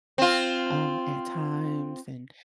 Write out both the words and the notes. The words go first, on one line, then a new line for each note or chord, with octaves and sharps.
um, at times, and
C4 F4